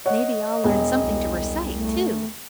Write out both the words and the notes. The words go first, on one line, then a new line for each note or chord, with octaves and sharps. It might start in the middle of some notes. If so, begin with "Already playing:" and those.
"May be I'll learn something to recite, too."
C#5 D#5 F#5
E1
C2
A3